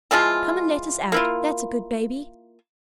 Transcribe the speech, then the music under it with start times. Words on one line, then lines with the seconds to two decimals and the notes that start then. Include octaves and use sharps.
Come and let us out, that's a good baby.
0.11 E3 F3 G#3 F4
1.12 A#3 E4 F4